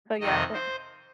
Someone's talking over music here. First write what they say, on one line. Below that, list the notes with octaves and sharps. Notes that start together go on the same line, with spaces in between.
So yeah, but
F2 C3 D#3 D#5
C5